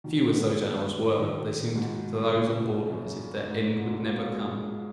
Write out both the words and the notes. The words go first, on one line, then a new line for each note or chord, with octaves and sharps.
Few as those hours were, they seemed to those on board as if their end would never come.
B2 D#3
G#3 B3
F#3 A#3
D#3 F#3
G#2 B2
A#2 C#3
F#2 A#2
G#2
G#2
G#2
G#2 B2
F#3 A#3
F#3 A#3
F3 G#3